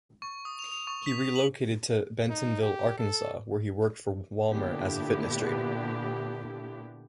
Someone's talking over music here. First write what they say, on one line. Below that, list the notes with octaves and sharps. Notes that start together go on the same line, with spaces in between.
He relocated to Bentonville, Arkansas, where he worked for Wal-Mart as a fitness trainer.
C#6
D#6
F7
F7
C#6
B6
B6
F#7
D#4
G4
A4
A#2 D3 B3 D4 E4 G4